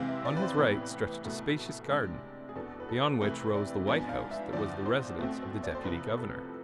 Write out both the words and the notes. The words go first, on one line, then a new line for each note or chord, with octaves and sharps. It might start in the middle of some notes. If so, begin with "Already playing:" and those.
On his right stretched a spacious garden, beyond which rose the white house that was the residence of the Deputy-Governor.
Already playing: C3 E3 G#3 C4 F5
E5
D5
B4
C5
A2 E3 B3 B4
C2 B2 A3
C3 G#3 D4
G#4
E2 B2 B3 D4 A4
B4
A4
C3 E3 A3 C4 B4
D5
G#2 F3 B3 D4 G#5
F5
E5
E2 D3 F3 D5
C5
B2 A3 C4
D5
C5
C2 C3 F3 B3 B4
A4